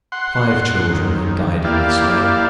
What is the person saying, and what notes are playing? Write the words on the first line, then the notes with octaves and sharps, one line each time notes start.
Five children had died in this way.
F#5 C6
F#2 D#3
A#3 E4 G4 D5 F5